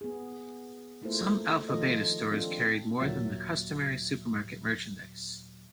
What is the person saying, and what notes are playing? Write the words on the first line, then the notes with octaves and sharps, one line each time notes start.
Some Alpha Beta stores carried more than the customary supermarket merchandise.
B3 G#4
A3 A#3 E4 F4 A4 C5
D#3 F3 F4 A4 D#5
C4 D4 F4 A4
D#2 A#2 F#3 E5 A6